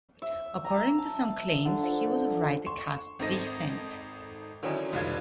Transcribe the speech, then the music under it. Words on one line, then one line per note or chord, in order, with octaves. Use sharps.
According to some claims he was of writer caste descent.
E5
A#5
A5
D3
F3
C6 C#6 E7
G#1 C4 D#4 A4 A#6 D#7
D3 D#3 F#3 C#4 D#4 E4
F1 B1 D3 G3 F4 G#6